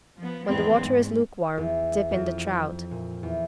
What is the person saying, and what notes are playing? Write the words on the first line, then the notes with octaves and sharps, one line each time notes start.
When the water is lukewarm, dip in the trout.
F3 B3
E2 G#2 F3 B3 C4
G#2
E2
F2
A#2
E2